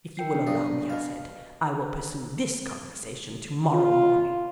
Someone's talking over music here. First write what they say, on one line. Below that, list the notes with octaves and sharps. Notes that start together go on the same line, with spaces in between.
"If you will allow me," I said, "I will pursue this conversation to-morrow morning."
A#4 G5 C7
B3 D4
G2 F#3 D#6
B2 F5
F4